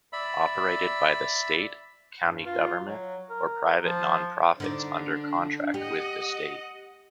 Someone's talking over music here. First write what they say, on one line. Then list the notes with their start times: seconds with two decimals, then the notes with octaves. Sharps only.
Operated by the state, county government or private nonprofits under contract with the state.
0.13 D5 E5 B5 E6
2.25 G2
2.46 F4
2.87 F#3
3.30 A#4
3.84 F3
4.60 D3 D4 D#4 D5
5.74 G4 D#5 F#5